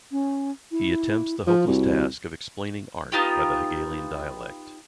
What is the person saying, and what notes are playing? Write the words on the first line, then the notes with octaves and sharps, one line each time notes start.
He attempts the hopeless task of explaining art by the Hegelian dialectic.
C#4
E4
F3 F4
C2 F#4
B3 D#4 F4 G4